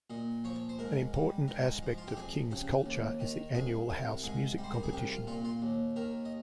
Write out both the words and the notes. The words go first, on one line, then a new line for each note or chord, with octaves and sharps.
An important aspect of King's culture is the annual House Music competition.
A#2 D#5
F3 C#5
C5
G#2 A#4
G3
G#2 A#4
F3
F4
G4
F2 G#4
C#3 G4
D#2
D#3
C2 G#4
C3
G#2 G#4
G3
C5
A#4
G#4
C2 G4
F4
A#2 F4
F4
D#2
D#3 A#4
D#5